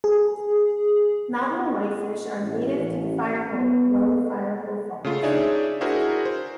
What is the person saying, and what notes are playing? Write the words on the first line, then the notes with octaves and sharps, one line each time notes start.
Mountain whitefish are native to the Firehole below Firehole Falls.
G#4
A1
A1
B3
C#3 A3 F4
D4 D#4 G#4 C#5 D5 E5
D4 E4 F#4 G#4 A#4 C5
C5